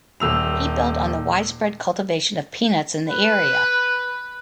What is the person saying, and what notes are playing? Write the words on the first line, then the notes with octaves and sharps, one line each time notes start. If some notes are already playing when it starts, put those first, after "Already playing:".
He built on the widespread cultivation of peanuts in the area.
D#1 E6 F7
B4